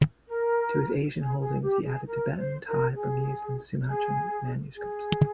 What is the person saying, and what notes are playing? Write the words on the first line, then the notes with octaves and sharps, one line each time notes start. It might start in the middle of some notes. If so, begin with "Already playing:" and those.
To his Asian holdings he added Tibetan, Thai, Burmese and Sumatran manuscripts.
A#4
G#4
G#4
G4
G#4
A#4
C5
A#4
G#4
G#4
G#4